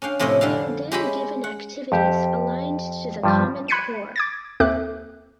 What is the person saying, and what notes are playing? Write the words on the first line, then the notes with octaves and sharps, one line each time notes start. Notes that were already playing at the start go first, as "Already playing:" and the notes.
They are then given activities aligned to the Common Core.
C#4 D4 F5 G5
F2 A2 C3 C#4 E4 D#5
F2 D3 G3 F5
G#3 C#4 G4 D#5 E5 B5
F#5
F2 G4 E5
G2 F3 G3
B5 F#6 G#6 B6 C#7 D#7
D6 G#6 A6
D#2 C4 A4 E5 D6 F#6